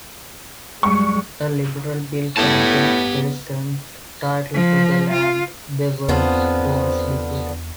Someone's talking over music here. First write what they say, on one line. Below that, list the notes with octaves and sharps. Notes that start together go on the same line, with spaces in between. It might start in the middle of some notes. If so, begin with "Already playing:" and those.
A liberal bill granting peasants title to the land they worked was defeated.
F#2 G3 G#3 C#6
A2 B3 G4 A5
F3
F4
E2 D3 B3 C4 F4